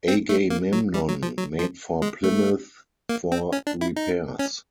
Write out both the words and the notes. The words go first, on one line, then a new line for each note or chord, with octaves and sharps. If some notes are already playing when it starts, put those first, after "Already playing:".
"Agamemnon" made for Plymouth for repairs.
C4
A3
A#3
F#3
G3
F#3
F3
F#3
F3
G#3
A3
A#3
C4
C#4
D4
E4
D#4
C#4